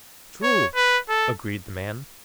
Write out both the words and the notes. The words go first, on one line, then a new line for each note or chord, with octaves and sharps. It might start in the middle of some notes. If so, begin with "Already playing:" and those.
"True," agreed the man.
C#5
B4
A4